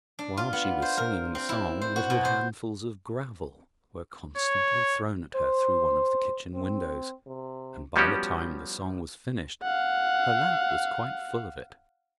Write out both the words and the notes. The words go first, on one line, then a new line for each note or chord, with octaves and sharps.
While she was singing the song little handfuls of gravel were constantly thrown at her through one of the kitchen windows, and by the time the song was finished her lap was quite full of it.
D4
F4
B3
C5
A#4
C4
E4
C5
F#4
B2
C5
C#5
C5
C4
C3
F3 G3 B3 C#4 F#4 G4
F5 F#5